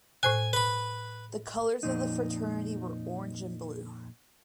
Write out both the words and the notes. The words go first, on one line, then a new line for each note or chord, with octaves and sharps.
The colors of the Fraternity were orange and blue.
A2 C5 G#5 F#6
B4 B5
F2 A#2 D#4